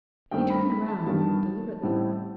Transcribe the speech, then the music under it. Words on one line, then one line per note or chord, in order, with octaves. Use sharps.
He turned round deliberately.
G2 D#3 A3 C4 G5
B5
B5
A5
G2 D#3 G3 B3 A5
A1 A2 G3 C4